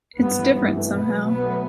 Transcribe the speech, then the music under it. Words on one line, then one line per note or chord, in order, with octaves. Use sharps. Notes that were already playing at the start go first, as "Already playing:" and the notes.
It's different somehow.
G2 B3
E3 A3
G2
E3 A3
B2 B3
F#3 A3
B2 B3
F#3 A3